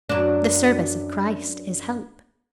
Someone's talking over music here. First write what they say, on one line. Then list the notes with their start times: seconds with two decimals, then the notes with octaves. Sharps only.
The service of Christ is help.
0.09 F#2 D4